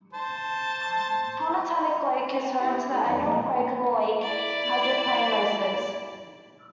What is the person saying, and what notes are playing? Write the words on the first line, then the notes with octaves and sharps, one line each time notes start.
Pontiac Lake is home to the annual "Quake on the Lake" hydroplane races.
C5 A5
B3 C4 E4 G4
A3 D#4
F2 D#3 F#3 D#4 D5
A#2 F3 G#3 A#3
E4 D5